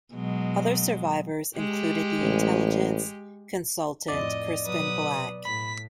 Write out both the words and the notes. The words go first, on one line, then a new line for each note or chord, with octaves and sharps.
Other survivors included the intelligence consultant Crispin Black.
B2 F#3 G#3
G#3 G4
A1
F2 A2 D5 D#5
B2 F#3 B4 D#6
A2 B5 B6